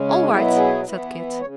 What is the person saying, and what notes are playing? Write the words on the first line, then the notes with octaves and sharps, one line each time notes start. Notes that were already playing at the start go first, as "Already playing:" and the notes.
"All right," said Kit.
Already playing: C#3 G#3 C#4
G#4
F#4
B2 F#3 B3 E4 G#4
G#4
E3 B3 E4
C#3 C#5